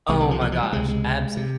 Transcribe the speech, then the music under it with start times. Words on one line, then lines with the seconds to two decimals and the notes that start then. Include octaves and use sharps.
Oh, my gosh, abs
0.09 C2 G#3
0.12 C3
0.20 G3
0.31 F3
0.41 F3
0.52 F3
0.63 G3
0.73 C#2 C3 G#3
0.88 G#3
1.37 C3